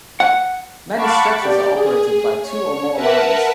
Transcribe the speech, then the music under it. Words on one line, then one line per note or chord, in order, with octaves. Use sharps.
Many stretches are operated by two or more lines.
F#5
F5 F#5 A5 B5 C#6 D6
G4 D5
G#4
C#5
A#4 B4 E5 F#5 A5